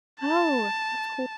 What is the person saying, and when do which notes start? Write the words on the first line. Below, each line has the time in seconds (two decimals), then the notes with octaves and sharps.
Oh, that's cool.
0.21 A5